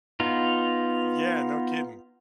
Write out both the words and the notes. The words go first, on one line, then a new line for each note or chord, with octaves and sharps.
Yeah, no kidding.
B3 D#4 F4